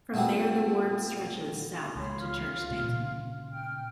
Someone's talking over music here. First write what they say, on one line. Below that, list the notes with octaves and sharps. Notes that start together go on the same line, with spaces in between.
From there the ward stretches south to Churchstanton.
A#2 A3 B3 C4 F#4
C#2 C#5 B5 C6
F4 F5 F6
C3 G3 A#3
A#2 C#3
G5 F6